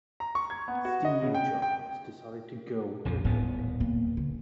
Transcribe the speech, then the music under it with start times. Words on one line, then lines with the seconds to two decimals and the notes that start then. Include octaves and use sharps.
Steve Jobs decided to go with it.
0.20 A#5
0.35 C#6
0.50 G#6
0.68 B3
0.85 F#4
1.05 D#5
1.22 C#3
1.35 G5
1.62 G5
3.05 A#1 F2 F3
3.25 D#1 A2 B3
3.80 A2 A#3
4.17 D3